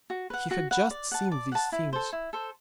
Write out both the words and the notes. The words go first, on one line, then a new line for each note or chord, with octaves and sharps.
He had just seen these things.
F#4
B4 F#5
F#4
B4 F#5
D5
F#5 A5
D5
F#5 A5
E4
A4 C5
E4
A4 C5